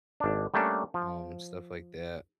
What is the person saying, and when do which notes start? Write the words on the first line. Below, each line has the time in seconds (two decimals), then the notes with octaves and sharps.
um, stuff like that,
0.20 G#1 D4
0.54 G3 A3 A#3 C#4 D4
0.94 F3